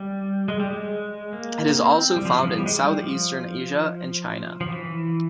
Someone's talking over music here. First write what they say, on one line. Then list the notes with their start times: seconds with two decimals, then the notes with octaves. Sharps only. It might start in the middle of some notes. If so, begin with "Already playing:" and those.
It is also found in south-eastern Asia and China.
Already playing: G3
0.48 G#3
0.60 G3
0.70 G#3
1.33 A#3
1.69 A#3
1.74 C4
2.16 G3
2.25 F3
2.34 E3
2.43 F3
2.58 G3
2.66 G#3
2.74 G3
2.99 F3
4.61 F3
4.66 E3